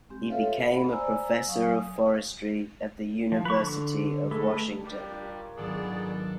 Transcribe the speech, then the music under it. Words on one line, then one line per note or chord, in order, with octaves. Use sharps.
He became a professor of forestry at the University of Washington.
G#3 C4 G4
F4 A4 B4 C#5 E5 F5
F#5 B5
C5 D5 G#5 A#5 E6
F#3 F5 G#5 C#6 D#6
F3
B4 C#6
D3
G#3 A3 A4 B4
G3 D4 F4 G4 A#4 C#5
G#2 D#3 F#3 B3 D4 G#4 A4 D5